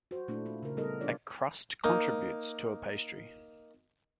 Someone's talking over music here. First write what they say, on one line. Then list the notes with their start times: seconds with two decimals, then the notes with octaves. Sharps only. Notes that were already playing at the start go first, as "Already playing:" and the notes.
A crust contributes to a pastry.
0.11 F#4 C5
0.28 A#2 A3 D4 E4
0.46 F4
0.63 C#3 A#4
0.77 G3 B3 D#4 A4 A#4 D#5
1.01 F3 D4 F4 C#5 D5
1.84 A#3 D#4